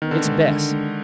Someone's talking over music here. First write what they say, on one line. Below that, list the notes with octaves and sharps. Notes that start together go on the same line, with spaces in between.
It's best.
D#3 B3
D3
D#3 G#3
D3
G#3